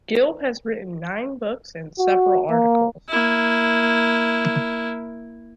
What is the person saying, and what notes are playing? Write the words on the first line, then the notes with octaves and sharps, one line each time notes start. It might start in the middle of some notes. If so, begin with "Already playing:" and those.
Gilb has written nine books and several articles.
F#4
A#3
A#3 E4